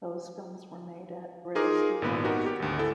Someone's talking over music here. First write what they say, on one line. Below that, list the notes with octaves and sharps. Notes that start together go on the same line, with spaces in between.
Those films were made at Bray Studios.
D#4 F4 G#4 A#4 D6
G#1 A#2 B3 B4 B5
B3 D#4 F#4 G4 A#4
G4
G#1 D2
E4 A4